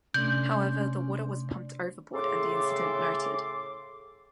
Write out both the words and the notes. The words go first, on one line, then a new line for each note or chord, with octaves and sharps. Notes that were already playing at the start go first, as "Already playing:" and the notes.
However, the water was pumped overboard and the incident noted.
C3 A3 C#4 D4 D5 C6 G6
A2 C#3 A4 C6 D6